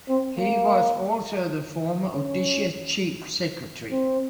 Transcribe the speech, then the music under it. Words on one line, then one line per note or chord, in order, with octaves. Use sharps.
He was also the former Odisha chief secretary.
C4
A#3
C#4
C4